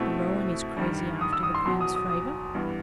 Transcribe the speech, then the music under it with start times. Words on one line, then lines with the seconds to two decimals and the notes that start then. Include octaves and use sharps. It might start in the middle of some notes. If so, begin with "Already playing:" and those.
De Rohan is crazy after the Queen's favor.
Already playing: B2 A3 C4 E4
0.77 G2 D#3 G3
1.21 D#6
1.33 E6
1.43 D#6
1.55 C6
1.65 E2 B2 F#3 C6
1.81 D#6
1.95 D#6
2.10 D#6
2.54 G2 E3 G3 B3